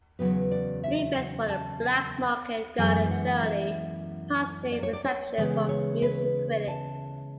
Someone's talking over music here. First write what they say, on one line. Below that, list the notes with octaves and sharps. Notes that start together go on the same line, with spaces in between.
"Blueprints for the Black Market" garnered generally positive reception from Music critics.
E2 C#3 F#3 B3 B4
D5
E5
F#5
A5
F#2 E3 G#3 B3 G#5
F#5
E5
D5
C#5
D5
C#5
C#3 E3 G#3 B3
C#5
B4
A5